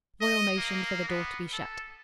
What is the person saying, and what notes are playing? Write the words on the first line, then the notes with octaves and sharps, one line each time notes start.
Foyle motioned for the door to be shut.
D#5
A#3
B3
A4